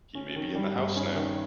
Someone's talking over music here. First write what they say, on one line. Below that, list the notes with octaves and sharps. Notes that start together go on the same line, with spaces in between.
He may be in the house now!
C#4
D#3
G3
G2
C#4
D#3